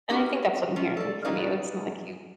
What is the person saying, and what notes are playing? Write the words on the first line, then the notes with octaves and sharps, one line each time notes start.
and I think that's what I'm hearing from you, it's not like you
C#4 D#4 F#4 G4 A#4 B4
C#4 F4
A4 D5
C#4 D#4 E4 B4 D5 F5